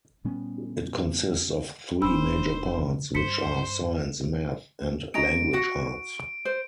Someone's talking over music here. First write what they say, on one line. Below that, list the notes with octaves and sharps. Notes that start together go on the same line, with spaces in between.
It consists of three major parts which are Science, Math, and Language Arts.
A#2 G3 B3 C#4
E1 D4 C5 B5 E6
B2
G2 C5 B6 C#7
C#4 D#5 A#5 D7
F#4 F#5
C5